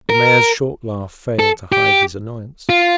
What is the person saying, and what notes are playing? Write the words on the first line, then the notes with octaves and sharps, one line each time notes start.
The mayor's short laugh failed to hide his annoyance.
A#4
A4
G4
F4